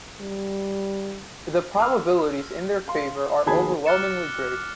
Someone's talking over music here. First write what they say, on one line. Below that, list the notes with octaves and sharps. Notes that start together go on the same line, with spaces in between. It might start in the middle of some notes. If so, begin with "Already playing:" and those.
The probabilities in their favor are overwhelmingly great.
G3
C6 E6 F6
F5 C6
D#2 B2 G#4 A5 B5 G#6
D6 F6 F#6 A6 C#7 E7